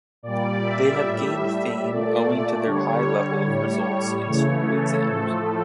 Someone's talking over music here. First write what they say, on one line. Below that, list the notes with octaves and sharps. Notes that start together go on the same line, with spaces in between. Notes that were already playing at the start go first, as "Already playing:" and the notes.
They have gained fame owing to their high level of results in school exams.
A#2 G3 D5
E5
A2 G3 E5
A#2 A3 D5
D3 G3 C#5
A2 G3 C#5
C#5
C#3 E3 A3
A4
A2 F3 A3